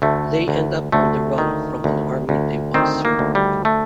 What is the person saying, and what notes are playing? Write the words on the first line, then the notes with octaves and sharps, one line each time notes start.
They end up on the run from an army they once served.
D2 A3
D2
D2 A3
D#3
D2
D2
D#3 C4
A#3
D2
G3
A3